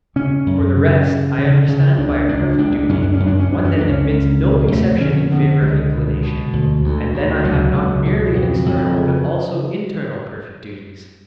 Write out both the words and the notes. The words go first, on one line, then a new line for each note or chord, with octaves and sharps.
For the rest, I understand by a perfect duty one that admits no exception in favour of inclination and then I have not merely external but also internal perfect duties.
C#3 C#4
F#2
C#3
C#3
C#3
C#3
C#2 D4
C#2 D4
C#2 D4
F#2 C#4
D4
C#4
F#2
D4
C#4
F#2 D4
C#4
C#2 D4
C#4
C#2
B2
F2 A3
D3 C#4
D3 B3
C#2 G#3
B2
B2
D2
D2
D2
C#2 F#3
C#2
B2
F2
F2
C#3